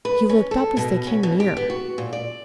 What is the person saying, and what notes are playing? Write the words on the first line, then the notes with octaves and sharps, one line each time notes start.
He looked up as they came near.
B4
C#4
A4
B2
C#4
B2
G4
B3
F#4
A#2
D5